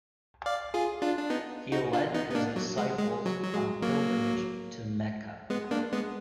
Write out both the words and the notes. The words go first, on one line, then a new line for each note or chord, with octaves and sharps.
He led his disciples on a pilgrimage to Mecca.
D5 F5
F4 G#4
D4 F4
D4
B3 D#4
D#4 F#4
D4 F4
B3 D#4
B3
A#3 D4
F#3
G#3
G#3
F#3
F#3
G#3
F#3 A#3
G#3 B3
A#3 D4
G#3 B3